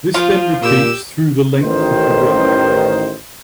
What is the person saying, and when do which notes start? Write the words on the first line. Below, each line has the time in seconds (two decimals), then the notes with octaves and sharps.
This then repeats through the length of the run.
0.14 F3 F4
0.62 A#2 G4 E6
1.61 A1 D#3 C5